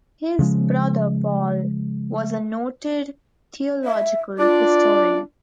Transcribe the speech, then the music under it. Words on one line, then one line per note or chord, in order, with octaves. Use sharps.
His brother, Paul, was a noted theological historian.
C#3 F3 G#3
E5
D4 F4 D5